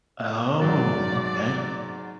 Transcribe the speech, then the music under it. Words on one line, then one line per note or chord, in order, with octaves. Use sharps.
Oh, okay.
G#2 F#3 D5